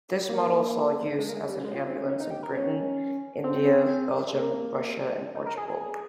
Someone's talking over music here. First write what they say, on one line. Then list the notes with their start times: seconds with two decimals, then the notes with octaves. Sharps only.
This model saw use as an ambulance in Britain, India, Belgium, Russia, and Portugal.
0.29 A#3
1.18 G#3
1.29 A#3
1.34 G#3
1.49 G3
1.64 G#3
1.75 F4
1.86 C4
1.97 C#4
2.08 C#4
2.20 D#4
2.31 G4
2.43 A#4
2.54 C#4
3.44 C4
4.34 A#3
5.35 D#4
5.46 A#4
5.57 G#4
5.68 G#4